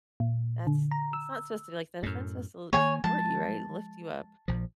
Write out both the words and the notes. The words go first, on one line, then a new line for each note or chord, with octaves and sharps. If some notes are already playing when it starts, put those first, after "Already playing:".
that's It's not supposed to be like that. A friend's suppose to l support you, right, and lift you up
A#2
D3
A#5
E6
F#2 A2
D#3 E3 A#3 C#5 G#5
F3 G#3 A5
A#1 F3